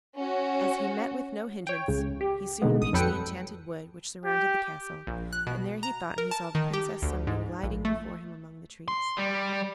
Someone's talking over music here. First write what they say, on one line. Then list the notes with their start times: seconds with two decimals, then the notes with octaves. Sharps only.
As he met with no hindrance, he soon reached the enchanted wood which surrounded the castle, and there he thought he saw the Princess Sunbeam gliding before him among the trees.
0.15 C#4 F#4
1.67 C#5 G5
1.88 C#2 C#3
2.21 G4
2.62 B2 D3 D#3 G#3 B3
2.81 A1 D#6
2.93 F2 F#3 A4 B4 G5 C#7
4.26 G4
5.07 A#1
5.33 F#6
5.47 B2
5.83 A#5
6.18 A#4
6.31 A5
6.55 D#3
6.73 G4
7.02 D2
7.27 G#2
7.63 A#1
7.85 A3
8.88 C6
9.18 G3